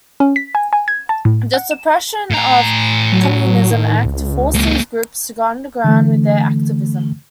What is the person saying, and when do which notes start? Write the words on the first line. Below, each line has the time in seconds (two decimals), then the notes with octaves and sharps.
The Suppression of Communism Act forced these groups to go underground with their activism.
0.20 C#4
0.36 B6
0.55 G#5
0.73 G#5
0.88 G#6
1.09 A5
1.25 A2
1.54 F#5
1.71 E7
2.30 A2 A#5
3.12 F#3
3.71 D#3
4.05 C#2
4.54 G#3 A#3
5.84 D3 E3 A3